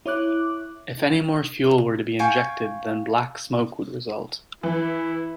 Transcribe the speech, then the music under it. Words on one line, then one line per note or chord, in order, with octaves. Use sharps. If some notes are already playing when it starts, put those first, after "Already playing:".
If any more fuel were to be injected then black smoke would result.
E4 C#5 D6 F#6
F5 G5 G#5 C#6
E3 E4